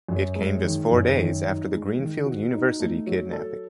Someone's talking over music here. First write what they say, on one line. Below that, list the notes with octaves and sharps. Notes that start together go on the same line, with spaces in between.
It came just four days after the Greenfield University kidnapping.
F#2
G#3
D#3
F#2
D#3
D#4
G#3
D#3
F#4
D#4
A3
F#3
A4